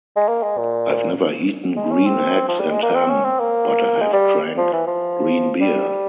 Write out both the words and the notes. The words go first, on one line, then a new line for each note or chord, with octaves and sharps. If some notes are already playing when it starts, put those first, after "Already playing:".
I've never eaten green eggs and ham, but I have drank green beer.
G#3
A#3
G#3
A#2
G#3
C#4
C4
F3
G3
G#3
A#3
C4
C#4
C4
A#3
G#3
G3
F3
E3
F3
G3